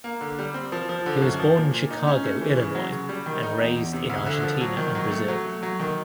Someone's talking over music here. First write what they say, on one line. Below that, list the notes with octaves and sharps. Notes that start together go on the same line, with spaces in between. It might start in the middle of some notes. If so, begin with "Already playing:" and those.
He was born in Chicago, Illinois, and raised in Argentina and Brazil.
A#3
D3
G3
C4
F3
F3
D3
F#2
F3
A#2
A#2
D#4
C#4
A3
E3
C#3
F#3
C#3
G3
D#3
D#4
E2
E2
C3
D2
D3
F3
F#3
D#3
F#3
A3
F#3
A3
F#3
D#3